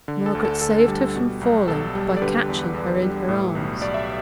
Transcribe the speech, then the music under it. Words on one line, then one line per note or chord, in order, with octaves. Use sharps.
Margaret saved her from falling by catching her in her arms.
D3
A4
D2
A4
D2 A4
G3
B2
B1
B1 A4
G3
D5
D3 G4 B4
E2
E2
G3
A2
B1
B1 D5
E5